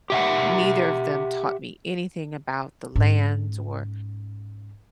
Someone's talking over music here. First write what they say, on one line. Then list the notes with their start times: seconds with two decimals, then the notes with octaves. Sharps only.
neither of them taught me anything about the land or,
0.10 G4 E5 F#5
2.96 G#2 C#4